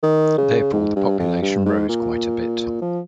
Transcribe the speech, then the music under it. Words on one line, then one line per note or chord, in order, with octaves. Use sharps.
Therefore, the population rose quite a bit.
D#3
C#3
G#2
G2
F2
G2
G#2
A#2
F3